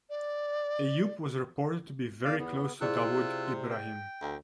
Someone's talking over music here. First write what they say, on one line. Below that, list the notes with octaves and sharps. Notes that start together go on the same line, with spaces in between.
Ayoob was reported to be very close to Dawood Ibrahim.
D5
E2 D5 F5
B3
C3 E4 F4 G#4 D5 E6 F#6
G5
D2